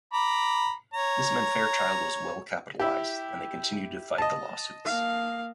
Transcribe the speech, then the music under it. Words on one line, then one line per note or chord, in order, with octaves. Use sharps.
This meant Fairchild was well capitalized and they continued to fight the lawsuits.
A#5 B5 D6
C#5 A#5
E4 G4
D#5 A5
A#3 F5